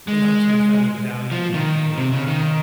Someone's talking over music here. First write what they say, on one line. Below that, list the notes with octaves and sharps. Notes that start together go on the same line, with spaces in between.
that helps me kind of value the, uh,
G#3
F3
D#3
C3
C#3
D#3